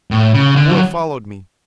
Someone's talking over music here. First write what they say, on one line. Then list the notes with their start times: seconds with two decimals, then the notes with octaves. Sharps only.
The boy followed me.
0.11 A2
0.34 C#3
0.56 D3
0.70 F#3